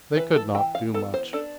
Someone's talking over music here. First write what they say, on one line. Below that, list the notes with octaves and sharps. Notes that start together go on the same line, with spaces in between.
They could not do much.
E3 B4
A4
E3 G5
F5
B3 A4
C5
D4 A4